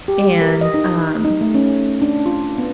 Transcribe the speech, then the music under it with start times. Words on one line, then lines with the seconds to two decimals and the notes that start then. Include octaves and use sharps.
And, um,
0.08 G4
0.42 A#4
0.61 D#5
0.74 D#4
1.25 D#4
1.41 A3
1.54 C#4
2.02 D4
2.26 F4
2.58 B3